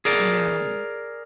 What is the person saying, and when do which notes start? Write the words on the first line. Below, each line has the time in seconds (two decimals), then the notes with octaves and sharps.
You know?
0.05 G#4 A#4 D5